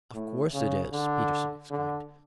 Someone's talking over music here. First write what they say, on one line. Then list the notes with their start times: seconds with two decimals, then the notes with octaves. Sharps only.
"Of course it is," Peterson exclaimed.
0.14 A2
0.54 C#3
0.92 D3
1.71 D3